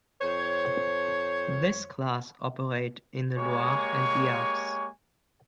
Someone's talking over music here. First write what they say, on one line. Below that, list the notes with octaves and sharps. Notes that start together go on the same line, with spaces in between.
This class operate in the Loire and the Alps.
F2 C5 C#5
G#3 A#3 G4 C#5 G#5 C#6